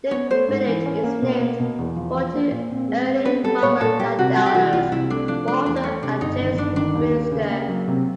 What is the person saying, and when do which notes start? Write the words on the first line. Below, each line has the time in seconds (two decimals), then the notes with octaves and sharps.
The village is named for two early farmer landowners, Walter and James Brewster.
0.11 B3 C#5
0.31 A3 C5
0.48 G#2
0.67 E3
0.86 C#4
1.03 A#3
1.22 B2
1.40 A#3
1.60 B2
1.79 E2
1.96 F3
2.14 F3
2.33 A#3
2.51 A#2
2.71 C4
2.88 G#3
3.08 C4
3.25 B3 B4
3.44 G3 A4
3.62 A#2 C#5
3.81 A#2 A4
4.00 G3 G4
4.19 C3 F#4
4.36 G3 F#4
4.46 G4
4.55 E3 F#4
4.73 C2 F4
4.92 C3 E4
5.10 A3 D4
5.28 F3 D4
5.47 A3 D4
5.66 E2 D4
5.76 D4
5.84 A3 C#4
6.02 C3 D4
6.21 G1 D#4
6.40 D#3
6.58 G1 D4
6.76 D#3 D4
6.95 D#2
7.13 A#3
7.31 C#3
7.51 A#3
7.69 F#3
7.88 C3